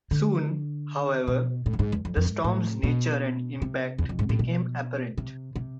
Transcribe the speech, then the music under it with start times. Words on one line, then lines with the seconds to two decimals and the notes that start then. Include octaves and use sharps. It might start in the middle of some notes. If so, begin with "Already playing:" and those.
Soon, however, the storm's nature and impact became apparent.
0.11 D3
1.28 B2
1.66 A2
1.73 F2
1.79 G#2
1.92 E2
2.05 F2
2.16 F2
2.25 G#2
2.44 A2
2.84 B2
3.62 C3
3.98 E2
4.09 F2
4.19 G#2
4.29 A2
4.39 B2
5.18 C3
5.56 C3